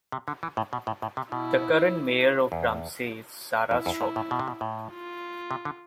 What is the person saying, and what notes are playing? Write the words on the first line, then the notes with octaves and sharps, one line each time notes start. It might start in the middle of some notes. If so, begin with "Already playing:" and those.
The current mayor of Ramsey is Sarah Strommen.
C3
D3
E3
A2
B2
A2
A2
C3
B2 E4
E2
F2 E4
F2
G#2
A2
B2
C3
B2
A2
F4
C3
D3